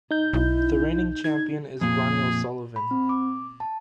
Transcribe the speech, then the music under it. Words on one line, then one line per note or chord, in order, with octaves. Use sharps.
The reigning champion is Ronnie O'Sullivan.
D#4 G6
B1 E4
D#4 G#6
F2 A#2 G#4
B5
C4
D6
A5